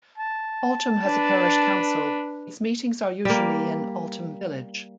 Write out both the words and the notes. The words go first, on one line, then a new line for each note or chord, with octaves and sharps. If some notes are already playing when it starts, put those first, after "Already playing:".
Altham has a parish council; its meetings are usually in Altham village.
A5
D4 B4
G3 A#3